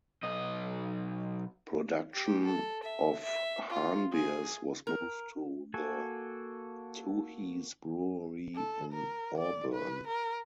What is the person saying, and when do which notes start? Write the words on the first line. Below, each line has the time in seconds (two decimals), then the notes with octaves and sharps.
Production of Hahn beers was moved to the Tooheys brewery in Auburn.
0.23 B1 D#5
2.14 G4
2.44 A4
2.83 E5
3.23 E5
3.70 F4
4.12 G#4
4.87 A#4
5.74 A#3 F#4 A4 G#5
8.56 A4
8.93 A#4
9.38 D5
9.74 B4
10.07 A#4